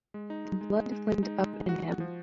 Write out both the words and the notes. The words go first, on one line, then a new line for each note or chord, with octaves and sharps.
The blood flamed up in him.
G#3
D#4
G#3
G#3
G#3
G#3
G#3
D#4
G#3
G#3
F#4
F#4
F3